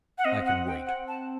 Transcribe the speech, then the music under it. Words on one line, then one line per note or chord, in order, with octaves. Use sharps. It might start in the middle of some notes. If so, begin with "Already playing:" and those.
I can wait.
F#5
C4 D#5
F#5
G5
F#5
A5